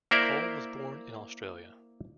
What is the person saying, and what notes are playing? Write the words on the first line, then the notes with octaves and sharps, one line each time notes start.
Cole was born in Australia.
A#3 E4 A#4 C5 D5 E5